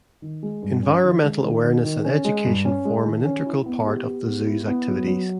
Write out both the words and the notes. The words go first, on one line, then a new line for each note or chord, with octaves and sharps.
Environmental awareness and education form an integral part of the zoo's activities.
D#3
G#3
G2
C#4
D#3
G#3
D#3
D#3
D#3
C#4
G#3
G2
C#4
G#3
D#3
C#4
E4
B3
G4
G4
B3
E4
B3
F#3
F#3